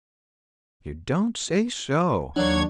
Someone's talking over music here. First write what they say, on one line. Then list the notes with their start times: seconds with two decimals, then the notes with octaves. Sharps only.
"You don't say so!"
2.36 D#2 F#3 A#3 D4 C#5 G#6